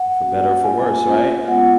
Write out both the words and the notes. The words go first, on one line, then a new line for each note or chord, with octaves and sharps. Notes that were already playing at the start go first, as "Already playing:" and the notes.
For better or for worse, right.
Already playing: F#5
A#3 C#4 F#4
A#3 C#4 F4 G#5
A#3 C#4 F4
G#3 B3 F4 F#5